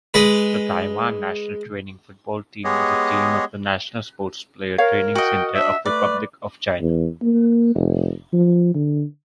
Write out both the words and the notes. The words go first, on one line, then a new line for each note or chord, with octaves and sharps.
The Taiwan National Training Football Team is a team of the National Sports Player Training Center of Republic of China.
G#3 B4
G#3 B3 G4 G#4 C#5 D#5
A#4 C#5 F5
F#4 D#5 G5
D4 E5
A3 B4 D5
E2
A#3
F1
F3
D3